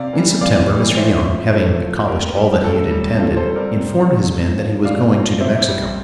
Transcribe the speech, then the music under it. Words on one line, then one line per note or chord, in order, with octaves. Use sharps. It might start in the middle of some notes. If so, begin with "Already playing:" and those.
In September, Mr. Young, having accomplished all that he had intended, informed his men that he was going to New Mexico.
Already playing: C3 D5 F5
E3 G3
C3 D5 F5
E3 G3
A2 C5 E5
F3
A2 A4 C5
F3
A2 G4 A#4
G3
A2 F4 A4
G3
C3 F4 A4
A4 C5
G3
A#4 D5
C3
G3
A2
F3
A2 D5 F5
F3
C3 C5 E5
G3